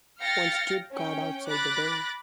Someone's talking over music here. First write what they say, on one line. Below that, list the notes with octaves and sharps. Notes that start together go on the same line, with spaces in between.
One stood guard outside the door.
F5 G5 F6 A6 A#6 C#7
C#4 G5
B5 D6 F#6 A6 A#6